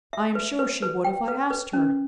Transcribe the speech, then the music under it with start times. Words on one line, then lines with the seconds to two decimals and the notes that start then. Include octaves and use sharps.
"I am sure she would if I asked her."
0.13 E5
0.35 B4
0.59 B4
0.82 B4
1.04 G5
1.28 B4
1.51 B4
1.73 C#4